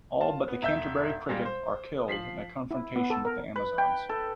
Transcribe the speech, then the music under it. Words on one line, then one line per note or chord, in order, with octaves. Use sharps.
All but the Canterbury Cricket are killed in a confrontation with the Amazons.
F4 A5
B3
E1 E5 G6
A#2 G3 G#3 A#3
C5
F3 B6 C7 F#7
E4
B3
A4
A#4
B4
G5
A4